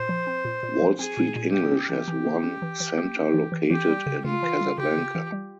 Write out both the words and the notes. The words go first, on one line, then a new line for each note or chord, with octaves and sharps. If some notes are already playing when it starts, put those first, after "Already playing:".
Wall Street English has one center located in Casablanca.
Already playing: A#2 C5
F3
C4
A#2
A#2
F3
C4 G#4
A#2
A#2
A#3 G4
C#4
E3
E3
A#3
C#4
E3
E3
A#3
C#4
E3
E3
E3 G4
G3
C#3
C#3 F4
E3
G3
C#3 G4
C#3
E3
G3